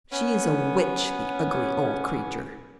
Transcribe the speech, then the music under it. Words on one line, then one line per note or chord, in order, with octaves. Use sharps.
She is a witch, the ugly old creature!
B3 C#4